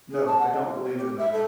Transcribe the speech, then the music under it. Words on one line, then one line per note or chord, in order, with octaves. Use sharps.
No, I don't believe in them.
G#4
A5
F#5
D#5
F4
C#5
G4
E5
A4